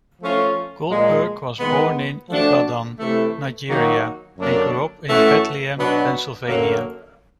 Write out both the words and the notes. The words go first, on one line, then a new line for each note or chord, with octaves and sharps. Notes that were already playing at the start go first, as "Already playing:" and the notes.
Goldberg was born in Ibadan, Nigeria and grew up in Bethlehem, Pennsylvania.
F3 A3 C#4 F4
A#2 F3 G#3
D#3 G#3 B3
F3 A3 D4 F#4
C3 E3 A3
D#3 F#3 A#3 D#4 F#4
F#2 D3 F#3 A#3 D4
A2 E3 A3 C#4 F#4
B2 F#3 B3 D4 F#4
F#2 D3 F#3 A#3